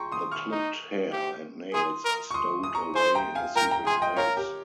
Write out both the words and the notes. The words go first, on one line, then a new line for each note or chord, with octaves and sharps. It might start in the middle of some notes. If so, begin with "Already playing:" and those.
The clipped hair and nails are stowed away in a secret place.
Already playing: G#4 G5 A#5 C6 C#6
C6 D#6
C#6 F6
D#4
G4
G#4 C6 D#6
A#4
C#6
C6 D#6
D#6
A#5 C#6
C5 G#5 C6
G5 A#5
F5 G#5
A#4 G5 A#5
G5 A#5
G#4 G#5 C6
D#5 G5
A#4 C#5 F5
G4 A#4